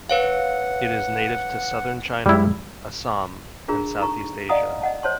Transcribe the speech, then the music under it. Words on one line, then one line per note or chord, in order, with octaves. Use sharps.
It is native to southern China, Assam, and Southeast Asia.
B4 C#5 F5 F#5
F#2 G3 G#3 E4
D4 F4 G#4 A#4 A#5
D#4 A4 A#5 C#6
D5 D#5 F5 F#5 A#5 D#6
D#5 F#5 A5
C5 C#5 A5 C6